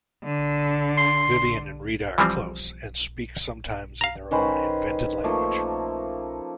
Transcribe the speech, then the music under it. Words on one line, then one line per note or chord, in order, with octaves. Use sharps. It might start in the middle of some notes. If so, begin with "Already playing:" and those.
Vivian and Rita are close and speak sometimes in their own invented language.
D3
C6
E3 F3 G3 C4
F5 A#5
D#3 C#4 B4 C5
F3 A3 A#3